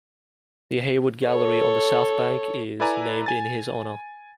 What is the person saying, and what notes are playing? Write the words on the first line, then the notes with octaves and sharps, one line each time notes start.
The Hayward Gallery on the South Bank is named in his honour.
A4 C#5
E4 A4 B4 D5 G#5 A#5
G#5 A6